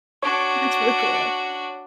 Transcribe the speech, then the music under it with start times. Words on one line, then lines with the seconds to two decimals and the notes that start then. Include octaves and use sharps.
That's really cool.
0.23 D4 F#4 C#5 C#6